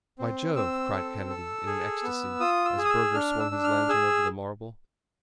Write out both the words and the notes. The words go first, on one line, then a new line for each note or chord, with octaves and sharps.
"By Jove!" cried Kennedy in an ecstasy, as Burger swung his lantern over the marble.
C4
C4 E6
A4
A4
G#4
B3
F4 D#6
E6
G#4
D#6
E6
D4 F6
E6
D4
F6
G#4 E6